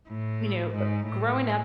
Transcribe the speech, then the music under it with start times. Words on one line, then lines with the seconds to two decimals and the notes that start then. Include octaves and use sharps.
you know, uh, growing up
0.08 A2
0.73 G#2
1.07 A2